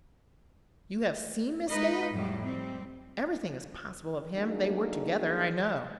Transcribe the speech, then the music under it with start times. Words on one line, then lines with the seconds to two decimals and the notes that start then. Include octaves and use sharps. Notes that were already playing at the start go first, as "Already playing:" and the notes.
You have seen Miss Dale? Everything is possible of him: they were together, I know.
1.69 G#3 D#4 B4 D#5
2.10 F2 A2 F#3 G3
2.44 G3 C4
4.35 F#3 A#3 D4 D#4 G#4